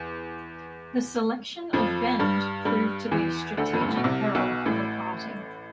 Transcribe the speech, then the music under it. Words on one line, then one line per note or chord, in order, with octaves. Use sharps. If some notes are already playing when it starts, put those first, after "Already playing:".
The selection of Bend proved to be a strategic error for the party.
Already playing: E2
F2 F3
G2 G3
G2 G3
E2 E3
D2 D3
F2
G2
A2
B2
C2 C3
B1 B2
A1 A2